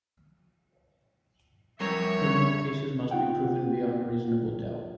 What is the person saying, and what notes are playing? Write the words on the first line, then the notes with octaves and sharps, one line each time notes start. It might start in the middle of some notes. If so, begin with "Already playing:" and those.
Criminal cases must be proven beyond a reasonable doubt.
F2 G3 A#4 C#5 E5 C#6
D#4 F4 F#5 G5